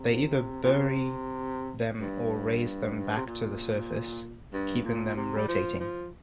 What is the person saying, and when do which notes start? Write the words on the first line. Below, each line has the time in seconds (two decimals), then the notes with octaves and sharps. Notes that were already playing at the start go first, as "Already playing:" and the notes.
They either bury them or raise them back to the surface, keeping them rotating.
Already playing: C3
0.64 A#2
0.72 C3
2.00 G2
3.17 C3
3.27 A#2
4.53 G2
4.84 A#2
5.17 C3
5.36 G3
5.48 F3
5.80 F3